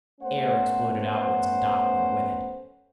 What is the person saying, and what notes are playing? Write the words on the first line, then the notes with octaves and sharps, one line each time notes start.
Air exploded outwards, and Doc went with it.
A3 B3 C#4 C5 F#5